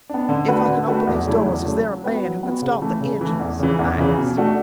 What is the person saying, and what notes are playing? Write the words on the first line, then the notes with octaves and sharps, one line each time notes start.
"If I can open these doors is there a man who can start the engines?" I asked.
B3 D4
D3
A3 D4 F#4 B4
D3
A3 D4 F#4 B4
E2
C#3 F#3 A3 E4
E2
C#3 F#3 A3 E4
F#3
B3 F#4 B4
F#3
B3 F#4 B4
C#3
E3 A3
C#3
E3 A3
E2
C#3 E3
E2
C#3 E3
B2
A3 D4 F#4 A4